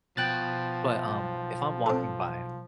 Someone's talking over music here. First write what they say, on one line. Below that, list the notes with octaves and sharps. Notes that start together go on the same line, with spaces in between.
but, um, if I'm walking by,
B2 F3 G5 F#6 A6
B1
C4 A4